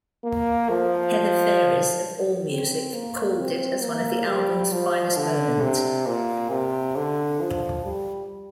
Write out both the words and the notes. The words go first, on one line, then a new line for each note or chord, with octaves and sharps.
Heather Phares of Allmusic called it as one of the album's finest moments.
A#3
F3
C4
A#3
C4
A#3
G3
F3
D3
C3
A#2
C3
D3
F3
G3